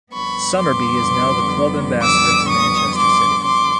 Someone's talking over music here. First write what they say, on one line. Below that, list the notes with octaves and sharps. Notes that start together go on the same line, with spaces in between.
Summerbee is now the Club Ambassador for Manchester City.
F2 D3 G3 B3 B5 C#6
C6 D6
D6 E6
C#6 D#6
C6 D6
C6 D6